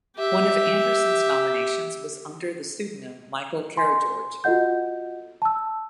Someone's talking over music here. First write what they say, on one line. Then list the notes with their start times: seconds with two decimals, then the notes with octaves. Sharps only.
One of Anderson's nominations was under the pseudonym Michael Karageorge.
0.17 G4 E5
3.77 G#5 C6
4.44 F4 F#4 A4 D#5 F#5 G6
5.42 A5 E6